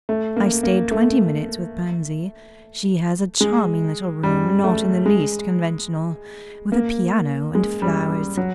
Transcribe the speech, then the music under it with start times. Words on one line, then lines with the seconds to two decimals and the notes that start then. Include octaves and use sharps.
I stayed twenty minutes with Pansy; she has a charming little room, not in the least conventual, with a piano and flowers.
0.09 A3
0.36 A#3
0.63 A#3
0.91 A3
3.41 G#3
4.23 G3
4.64 A3
5.06 G#3
6.72 A#3
7.55 G#3
7.82 G3
8.10 G3
8.37 F#3